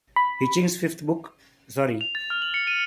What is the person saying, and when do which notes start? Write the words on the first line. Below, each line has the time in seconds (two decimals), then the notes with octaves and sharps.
Hitchings's fifth book, Sorry!
0.16 B5
2.01 F7
2.15 A6
2.30 F6
2.42 F#7
2.54 C#7
2.67 D#7